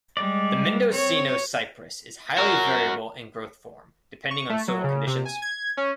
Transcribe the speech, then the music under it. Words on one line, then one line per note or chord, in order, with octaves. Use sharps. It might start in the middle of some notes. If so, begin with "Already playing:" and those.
The Mendocino cypress is highly variable in growth form, depending on soil conditions.
G3 G#3 D5
C4 C#5
F#4 A#4
C#6
A3
F#3
C#3
C3
G#5
G#6
C#4